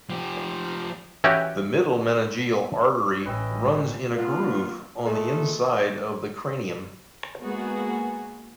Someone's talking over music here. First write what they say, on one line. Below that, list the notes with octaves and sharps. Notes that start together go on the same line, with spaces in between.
The middle meningeal artery runs in a groove on the inside of the cranium.
F3 G4
E3 C#4 E4 F#4 G4
A1 E3 C#4 B4 D#5 G5 E6
G#2 F3 C#4
A#3 B3 F4
A#2 G#3 A3 A4
G#3 A#3 B3 F#4 G#4